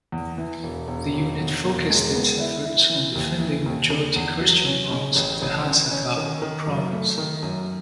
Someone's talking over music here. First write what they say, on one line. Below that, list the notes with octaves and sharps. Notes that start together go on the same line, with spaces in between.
The unit focused its efforts on defending majority Christian parts of the Hasakah province.
E2
E3
E1
E1
E1
E2
E1
G#3
B3
E4
E4
E3
D#2
E3
D#2
C#3
E2
F#3
C#4
C#3
A1
A1
C#4
C#4
D#3
D#3
F#2
A3
D#3
F#2